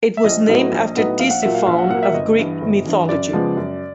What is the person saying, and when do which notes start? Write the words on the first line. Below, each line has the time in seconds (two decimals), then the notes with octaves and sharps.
It was named after Tisiphone of Greek mythology.
0.17 E5
0.24 A#1 D#5
0.48 A2 F#3 B3 D#4
0.72 A#1
0.96 A2 F#3 B3 D#4
1.19 A#1 F5
1.31 F#5
1.43 A#2 F#3 A#3 E5
1.55 F5
1.66 A#1 F5
1.78 F#5
1.90 A#2 F#3 A#3 F#5
2.03 E5
2.14 G1 D#5
2.38 G2 E3
2.61 G1
2.85 G2 E3
3.09 F#2 D5
3.33 C#3 F3 G#3 B3
3.57 F#2